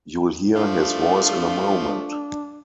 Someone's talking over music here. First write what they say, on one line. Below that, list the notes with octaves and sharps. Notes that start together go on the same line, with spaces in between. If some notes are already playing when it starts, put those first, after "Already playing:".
You’ll hear his voice in a moment.
F3 A3 D4 F4